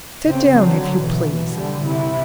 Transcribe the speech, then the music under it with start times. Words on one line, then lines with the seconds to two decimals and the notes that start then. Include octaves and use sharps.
Sit down, if you please.
0.25 C#3 C4
0.56 D3 F#3
1.03 B2 E3
1.51 D3 G3
1.83 C3 E4